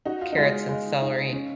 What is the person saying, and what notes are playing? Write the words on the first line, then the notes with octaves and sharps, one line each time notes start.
carrots and celery."
D#4 F#4
F4
D#4
G#3 F4
G#3
D#4
C#4